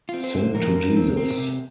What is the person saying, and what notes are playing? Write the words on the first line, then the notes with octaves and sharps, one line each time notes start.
Sing to Jesus!
C4 F4
C5
D3
C5
F2 A#4
F3
C4
C4
C3